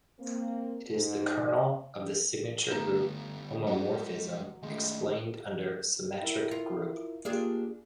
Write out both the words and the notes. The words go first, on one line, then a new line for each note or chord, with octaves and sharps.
It is the kernel of the signature group homomorphism explained under symmetric group.
A#3 C4
G#2
D3 A3 B3 A#5 E7
F#3 G#3 F#5
D#3 G#3 A3
E4 A#4 E5
F4
A#3 D4 F4 G4 G#4